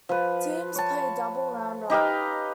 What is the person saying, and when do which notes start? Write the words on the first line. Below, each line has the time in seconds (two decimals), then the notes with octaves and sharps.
Teams play a double round robin.
0.09 F3 B4
0.75 C#5 A5
1.90 D#4 G4 B4 F5